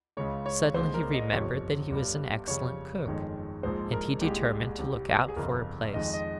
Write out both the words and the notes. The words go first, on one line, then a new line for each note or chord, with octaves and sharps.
Suddenly he remembered that he was an excellent cook, and he determined to look out for a place.
C#2 C#3 G#3 C#5
C#5
C2 A#2 G#3 C5
A#4
D#5
G1 F2 C3 F3 C#5
G1 G2 G3
F2 C#3 G3 C#5
G1 F2 D#3 G#3
A#1 G#2 F3 G#3 C5
A#4
C2 A#2 G#3 G4
C2 C3 G3
G#4
G1 F2 C#3 A#4
F2 D#3 G#3 D#5
D#5